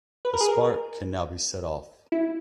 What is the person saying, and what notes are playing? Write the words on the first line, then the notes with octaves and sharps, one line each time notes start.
The spark can now be set off.
B4
A#4
G#4
A#4
E4